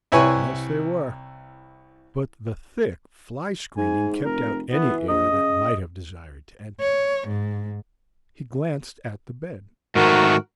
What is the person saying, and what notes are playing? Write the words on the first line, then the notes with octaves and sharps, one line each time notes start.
Yes, they were; but the thick fly-screening kept out any air that might have desired to enter. He glanced at the bed.
C2 E4 B4 C#5 G#5
G#2 G#5
F1 A#4
E3 B3
A#1 D#5
C#3
C#5
G#2
G#2 D#3 A3 F#4 A#4